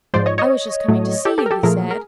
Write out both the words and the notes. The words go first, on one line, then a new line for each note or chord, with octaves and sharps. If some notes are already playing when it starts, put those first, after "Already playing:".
"I was just coming to see you," he said.
G#2 F3 G#3 C5 D5
C#5 D#5
C#5 D#5
A2 F#3 A3
G4 A4
G4 A4
A#4
G4 A4
A#2 F3 A3 G#4 A#4
A#4